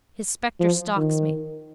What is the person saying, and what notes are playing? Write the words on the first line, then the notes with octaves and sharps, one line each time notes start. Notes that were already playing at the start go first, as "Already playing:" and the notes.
His spectre stalks me.
F3
D#3